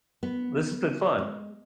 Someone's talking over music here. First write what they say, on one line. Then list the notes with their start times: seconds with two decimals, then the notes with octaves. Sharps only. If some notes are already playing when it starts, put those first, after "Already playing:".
This has been fun.
0.23 B3
1.18 G#3